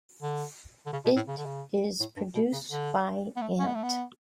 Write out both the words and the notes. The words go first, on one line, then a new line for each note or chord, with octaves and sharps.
It is produced by Ant.
D3
D3
C#3
B2
A2
C#3
D3
C#3
A2
G2
B2
C#3
D3
B3
A3
C#4
B3
A3
B3